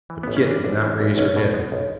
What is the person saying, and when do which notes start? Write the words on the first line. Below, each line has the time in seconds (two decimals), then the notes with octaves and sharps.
But Kit did not raise her head.
0.10 E3
0.23 A1 B3
0.37 C#4
0.46 E3 D4
0.64 A1 D4
0.82 E3
1.01 A1
1.18 B1 C#4
1.36 B2
1.54 G#3
1.72 B1